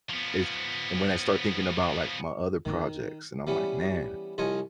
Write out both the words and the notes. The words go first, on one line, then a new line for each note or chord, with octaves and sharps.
is and when I start thinking about, like, my other projects and I'm like, "Man
F3 B3
D#3
E3 G3 B3 C#4
C2 F3 F4 C#5 D#5 G#5